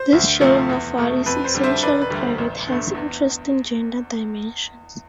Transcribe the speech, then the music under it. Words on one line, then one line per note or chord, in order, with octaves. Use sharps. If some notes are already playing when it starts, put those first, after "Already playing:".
This sharing of what is essentially private has interesting gender dimensions.
Already playing: C5
D2
C3 F3 A3
E2
B2 A3
F2 B4
C5
D3 G3
C5 E5
E1 B4 D5
B4
D2 D3 G3
C5
A1
G2 D3 A3
E2